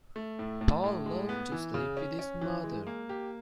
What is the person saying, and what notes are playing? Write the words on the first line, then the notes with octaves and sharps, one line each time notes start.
Paul loved to sleep with his mother.
A3
A2
A2
A2
G#3
B3
E3
C#3
C#4
C#4
E3
G#3
A#3
G4